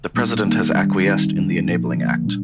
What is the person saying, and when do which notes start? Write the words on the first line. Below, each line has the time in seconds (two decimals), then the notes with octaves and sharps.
The President has acquiesced in the Enabling Act.
0.14 A#2 G3 A#3 D#4
0.44 D#3 G3 A#3 D#4
0.75 D#3 G3 D4
1.05 D#3 G3 C4 D#4
1.34 F2 D#3 G3 D4
1.64 A#2 F3 A#3 D#4
1.95 D3 F3 A#3
2.25 A#2 G3 D4